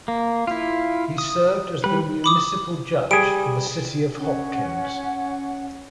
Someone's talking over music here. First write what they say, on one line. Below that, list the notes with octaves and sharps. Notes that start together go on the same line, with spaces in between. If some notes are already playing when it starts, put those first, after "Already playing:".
He served as the municipal judge for the city of Hopkins.
A#3
E4 F4
D#6
G3 B4
B5 D6 D#6
G3 G#4 D7
C#4 F#5